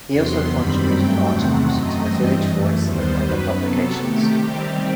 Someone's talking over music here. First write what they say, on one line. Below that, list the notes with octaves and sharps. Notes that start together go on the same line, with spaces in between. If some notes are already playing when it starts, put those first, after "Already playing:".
He also contributed articles to "The Village Voice" and other publications.
E2 C3 F#3 B3 C6
F#2 D#3 G3 C4 B5
G2 F#3 A3 C4 G5
E2 C3 D#3 A3 C4 F#5
F#2 F#3 A3 C4 D#5
G2 E3 G3 C4
F#2 E3 A3
D#2 D#3 G3 B3 C5
F#2 D#3 F#3 B4
C3 F#3 B3 A4
C3 D#3 A3 G4
C3 D#3 G3 C4